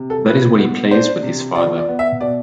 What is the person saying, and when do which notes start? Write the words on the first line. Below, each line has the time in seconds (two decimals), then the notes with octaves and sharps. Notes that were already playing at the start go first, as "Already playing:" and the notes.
That is what he plays with his father.
Already playing: C3
0.10 A4
0.25 F3 B4
0.58 B3
0.91 D4 C5
1.23 C3
1.56 F3 D5
1.77 D5
1.88 B3
1.99 E5
2.21 B2 D5